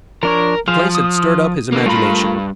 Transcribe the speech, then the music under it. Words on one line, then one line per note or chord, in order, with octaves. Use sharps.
The place had stirred up his imagination.
F3 D4 A#4 C#5
F3 G#4 C5 F5
D#6
D3 A#3
G2 A3 F4 A#4 B5